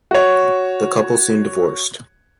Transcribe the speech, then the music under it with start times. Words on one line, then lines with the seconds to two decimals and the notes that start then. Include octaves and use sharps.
The couple soon divorced.
0.11 F#4 C#5